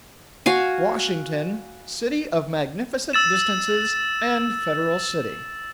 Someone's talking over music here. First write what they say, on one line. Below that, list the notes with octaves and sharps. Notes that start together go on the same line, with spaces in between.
Washington, City of Magnificent Distances, and Federal City.
F#4 F5 G#5
E6 A6 E7